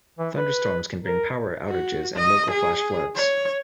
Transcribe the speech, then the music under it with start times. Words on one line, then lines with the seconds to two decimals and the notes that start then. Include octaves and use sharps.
Thunderstorms can bring power outages and local flash floods.
0.19 E3
0.35 B4
1.05 A#4
1.68 F#4
2.16 D#5
2.51 G#4
3.16 C#5